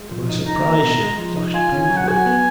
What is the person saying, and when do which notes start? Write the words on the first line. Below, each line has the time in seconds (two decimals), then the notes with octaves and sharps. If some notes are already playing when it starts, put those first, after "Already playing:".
To my surprise, she flushed painfully.
Already playing: G#3
0.11 F3
0.29 D#4
0.46 D#4 A#5
0.65 A#3
0.83 B2
1.00 G#3
1.18 F3
1.36 D#4
1.54 F4 G#5
1.72 C#4
1.81 G#5
1.90 F#3
1.97 F#5
2.08 F#4 G#5
2.26 B3